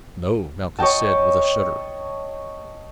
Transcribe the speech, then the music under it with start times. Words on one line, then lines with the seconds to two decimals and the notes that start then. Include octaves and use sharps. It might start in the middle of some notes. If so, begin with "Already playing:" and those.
"No," Malchus said with a shudder.
0.79 C#5 D#5 G5 A5